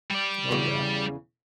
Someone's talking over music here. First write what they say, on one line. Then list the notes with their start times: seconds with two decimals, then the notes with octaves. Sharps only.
Oh, yeah.
0.11 G3 D5
0.51 E2 C#3